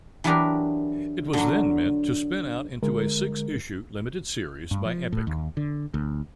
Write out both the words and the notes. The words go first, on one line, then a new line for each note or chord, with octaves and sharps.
It was then meant to spin out into a six-issue limited series by Epic.
E3 F#3 B3 D4 G4 A#4
D3 F#3
D3 G#3 A#4
G2
F3
A2
D#2
D3
D2